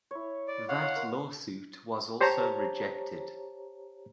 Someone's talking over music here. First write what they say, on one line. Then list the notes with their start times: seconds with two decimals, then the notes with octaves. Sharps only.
That lawsuit was also rejected.
0.11 E4 C#5
0.48 D5
0.69 C#5 D#5 F5 F#5 C6
0.82 C#5
0.96 A#4 C6
2.21 G4 C5 C#5 A5 A#5